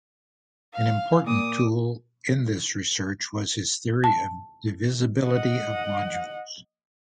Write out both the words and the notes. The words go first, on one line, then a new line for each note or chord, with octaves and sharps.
An important tool in this research was his theory of divisibility of modules.
F5
A#2 D6 D#6
A5
D#5 F#5